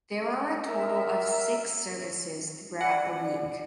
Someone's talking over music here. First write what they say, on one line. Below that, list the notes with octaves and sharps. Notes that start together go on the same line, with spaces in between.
There are a total of six services throughout the week.
A#4 E5
D5 F#5